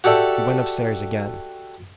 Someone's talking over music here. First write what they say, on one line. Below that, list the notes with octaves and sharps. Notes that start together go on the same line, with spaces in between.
He went up stairs again.
F#4 G4 A4 D5 E5